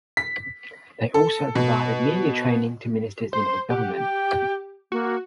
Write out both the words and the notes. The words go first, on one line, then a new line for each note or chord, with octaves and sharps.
They also provided media training to ministers in her government.
B6
A4
B2
C5 C6
G4 F#5
G5
A#3 F#4